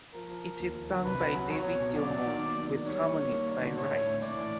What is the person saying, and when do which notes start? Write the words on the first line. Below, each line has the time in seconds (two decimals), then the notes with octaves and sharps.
It is sung by David Gilmour, with harmonies by Wright.
0.14 F3 A#4
0.29 F3
0.44 F3
0.60 D#2
0.75 F3
0.90 D3
1.04 C2 B4
1.20 F#3
1.35 F#3
1.50 F#3 C#5
1.65 B2
1.80 B2
1.96 F#3 D5
2.11 F#3
2.26 D#3
2.41 A#3
2.56 D#3
2.71 D#3
2.86 G3 C#5
3.01 A#3
3.16 G3
3.31 A#3
3.47 D4
3.62 D3
3.76 A2 C#5
3.92 A2
4.07 A2
4.22 A2 D5
4.37 E3